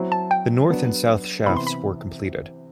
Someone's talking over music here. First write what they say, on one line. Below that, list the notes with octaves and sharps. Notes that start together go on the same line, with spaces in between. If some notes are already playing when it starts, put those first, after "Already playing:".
The north and south shafts were completed.
Already playing: F#3 C4 E4
A5
G5
F#3 B3 D4
C3 E3 B3 B5
C6
B5